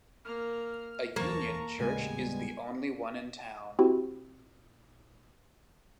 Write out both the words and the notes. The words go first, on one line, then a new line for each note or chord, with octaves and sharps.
A union church is the only one in town.
A#3 F6
D#1 F2 E3 A#3 A5 A#5 C#6
D#1 A1 C#3 G3 G#3 B3 G#5
C4 E4 F#4 G4